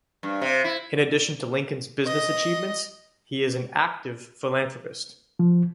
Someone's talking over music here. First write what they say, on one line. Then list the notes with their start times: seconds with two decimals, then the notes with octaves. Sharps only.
In addition to Lincoln's business achievements, he is an active philanthropist.
0.23 G2
0.42 C3
0.64 E4
2.05 D#5
5.39 F3